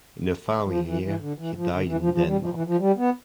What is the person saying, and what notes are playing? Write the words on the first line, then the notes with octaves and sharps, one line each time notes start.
In the following year he died in Denmark.
F3
E3
E3
D3
E3
F3
D3
E3
F3
F3
G3
F3
E3
F3
G3
B3